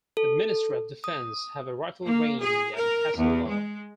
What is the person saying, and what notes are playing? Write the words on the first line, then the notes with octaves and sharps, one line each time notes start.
The Ministry of Defence have a rifle range at Castlelaw.
A4
D#6
A#3
G#4
A#4
E2
G#3